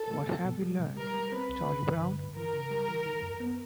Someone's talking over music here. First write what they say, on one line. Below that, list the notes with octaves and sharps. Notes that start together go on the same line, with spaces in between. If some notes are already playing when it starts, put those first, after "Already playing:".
What Have We Learned, Charlie Brown?
Already playing: A4
A3
B2
B2
G3
B2
G3 A#4
G3
C4 B4
C2
D3
G2
D3
G2
E3 A#4
C#3
G3
E3
D#3
F#2
B3